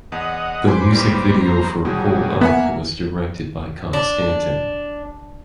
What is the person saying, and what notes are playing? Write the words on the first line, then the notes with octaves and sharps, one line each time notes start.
The music video for "Pull Up" was directed by Konstantin.
E2 D#5 F#5
B4 C5 G#5 C6 D6
D#2 G3
C5 A#5
B2 F#3 G3 G#4
A#3 B3 E5 F#5 G#5
D4